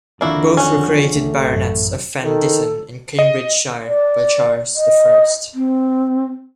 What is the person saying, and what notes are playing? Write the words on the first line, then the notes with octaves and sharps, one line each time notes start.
Both were created baronets of Fen Ditton in Cambridgeshire by Charles the First.
F2 D#3 A#3 D4 E4 F#4 D5
C#4 F#4
C#2 A3
A1 F#2
D#3 A4
D#5
D5
D#5
C4